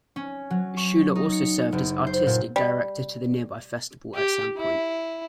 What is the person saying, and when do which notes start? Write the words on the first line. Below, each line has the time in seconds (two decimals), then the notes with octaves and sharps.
Schuller also served as Artistic Director to the nearby Festival at Sandpoint.
0.16 C#4
0.50 F#3
0.77 C#6
1.15 D#4
1.32 C#7
1.72 F#1
2.07 C5
2.27 A#2
2.56 G3
4.14 G4
4.58 E4